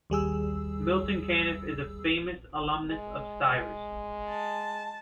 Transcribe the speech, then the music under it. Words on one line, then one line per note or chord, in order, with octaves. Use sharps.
Milton Caniff is a famous alumnus of Stivers.
D#2 G3 G#4 E6
G#3
A5